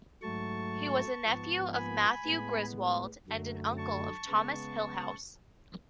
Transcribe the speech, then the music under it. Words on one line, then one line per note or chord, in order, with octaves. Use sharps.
He was a nephew of Matthew Griswold and an uncle of Thomas Hillhouse.
G#2 F#3 A3 A5 C#6
G#2 F3 B3
G#5 B5
A2 G#3 B3
F#2 D3 F#3 A3
A5 C#6
C#3 G#3 B3